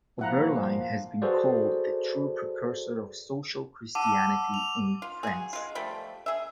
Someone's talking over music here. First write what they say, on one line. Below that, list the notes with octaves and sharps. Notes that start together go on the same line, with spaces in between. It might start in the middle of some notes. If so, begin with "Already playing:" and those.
Oberlin has been called the true precursor of social Christianity in France.
A#2 F3 E4 F5 F#5 A#5
F#4 G#4 A4 B4 C5 D5
F#5 A5 D6 E6 D#7
F7
F4
F#4 G#4
G#3 F4
F3 G3 A3
G#4 E5